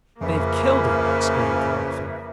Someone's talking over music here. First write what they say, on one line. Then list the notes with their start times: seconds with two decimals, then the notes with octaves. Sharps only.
"They have killed him," exclaimed Combeferre.
0.21 F2 C#3 F3 A#3 C#4 B4 E5